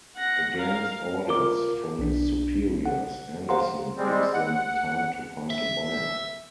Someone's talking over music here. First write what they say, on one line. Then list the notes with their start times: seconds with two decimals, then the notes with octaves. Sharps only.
Against orders from his superiors, Anderson gives them time to find a buyer.
0.16 F#5 A#6
0.57 A#4 F5
1.28 F4 A#4 D6
1.99 B1 D4
2.86 F#5
3.49 G4 C5 F5 F#5 A#5 C6
3.97 G3 G#3 C4
4.33 F#5
5.50 E5